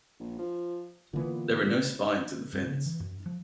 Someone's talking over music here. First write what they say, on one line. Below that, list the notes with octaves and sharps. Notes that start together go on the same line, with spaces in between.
There are no spines in the fins.
A#1
F3
A#2 D3 E3 B3
A1
G2
C#3
E3
F#2
F3